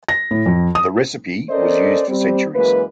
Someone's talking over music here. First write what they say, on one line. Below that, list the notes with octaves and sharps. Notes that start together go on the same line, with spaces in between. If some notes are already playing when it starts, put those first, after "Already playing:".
The recipe was used for centuries.
A#6
A2
F2
D#6
C#4 A4 A#4 C5 D5 D#5
G3 C4
F#2 E3 G#3 A#3 B4